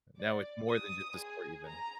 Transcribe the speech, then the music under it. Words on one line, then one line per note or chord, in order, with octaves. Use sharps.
Now it's more than just a story even.
D5
D#6
G#4
A#5